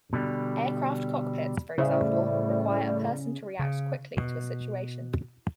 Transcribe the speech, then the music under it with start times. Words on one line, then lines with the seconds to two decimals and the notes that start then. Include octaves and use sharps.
Aircraft cockpits, for example, require a person to react quickly to a situation.
0.13 B2 D3 G3
1.78 A2 C#3 G3 E4 C5 E5
3.59 C#3
4.17 B2